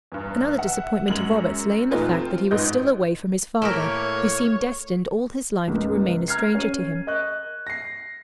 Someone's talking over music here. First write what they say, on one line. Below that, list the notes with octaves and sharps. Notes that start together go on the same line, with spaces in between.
Another disappointment to Roberts lay in the fact that he was still away from his father, who seemed destined all his life to remain a stranger to him.
E2 G2
E5 F#5
F#2 G#3 F#7
E2 A#2 A3 D#4 F4 B4
C4 F4
A1 G#2 B4 D#5 G6
A2 A3 A#3 G4 A#4 C#5
C#2 G#2 A#3
A#5 F6 G#6 C7
C#4 D#7
A#4 D#5 C#6 F#6
A#6 C7